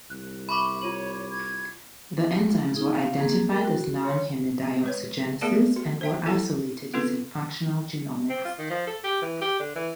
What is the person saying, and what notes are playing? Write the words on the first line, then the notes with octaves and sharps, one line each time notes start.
The enzymes were identified as non-heme dioxygenases, and were isolated using functional genomics.
C2 F#6
E5 B5 C#6 D6
F4 C#5 D#7 F#7
G#6
D#4 G#4
F5
A#3 C4 G#4
A#4 G5
F#4
F4 C#5 C6
G#3 B4 C#5
A3 B3 G#4 A#4 D5 A5
F#4
C5 E5 G5
E4 A4 G#5
B3 C4 F4 A4 B4
C4
F4
D#3
F3
A4
G4
E3
G4
D3
E3